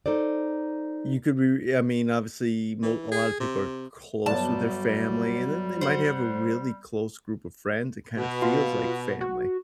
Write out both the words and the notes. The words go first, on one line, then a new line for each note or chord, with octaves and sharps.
you could be I mean, obviously, mo a lot of people are close with their family, and then they might have a really close group of friends. It kind of feels like family.
D#4 A4 C5 D5
E3
G#4
C3
G1 F#3 G3 B3 D5 A5
C5 F#5
B2
F4
F#4